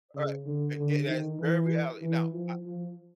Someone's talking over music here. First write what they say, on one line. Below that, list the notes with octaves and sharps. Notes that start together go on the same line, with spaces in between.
Right, and and that's very reality now, I
C#3
D3
D3
D#3
E3
E3
F3
F3